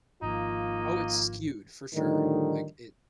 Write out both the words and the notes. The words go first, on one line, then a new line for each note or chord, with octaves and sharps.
Oh, it's skewed for sure. Like, it
G#1 F3 A#3 D#4 F4
A2 D3 D#3 F3 G3 D#4